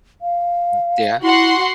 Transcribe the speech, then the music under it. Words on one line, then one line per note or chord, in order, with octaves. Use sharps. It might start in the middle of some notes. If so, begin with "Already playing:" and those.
M Yeah.
F5
E4 F#4 F#5 C6